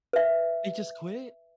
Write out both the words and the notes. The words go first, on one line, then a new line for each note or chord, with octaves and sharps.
They just quit?
B4 E5